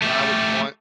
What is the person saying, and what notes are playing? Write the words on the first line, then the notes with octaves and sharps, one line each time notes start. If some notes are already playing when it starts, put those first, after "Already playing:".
and I would want
A3 G4